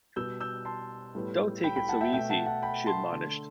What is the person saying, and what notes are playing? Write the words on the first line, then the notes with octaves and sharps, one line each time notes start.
"Don't take it so easy," she admonished.
B2 G3 B3 E6 G6
E6 G6
A5 C6
A2 G3 B3
G5 B5
G5 B5
F#5 A5
E5 G5
B2 A3 E5 G5
F#5 A5
F#5 A5
G5 B5
A5 C6
D3 A3